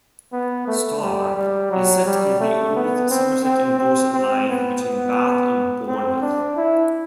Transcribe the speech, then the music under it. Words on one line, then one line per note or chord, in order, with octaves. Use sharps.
"Star" is set on the old Somerset and Dorset line between Bath and Bournemouth.
B3
A3
G3
G3
F#3
G3
A3
B3
C4
C4
C4
C4
B3
B3
C4
D4
E4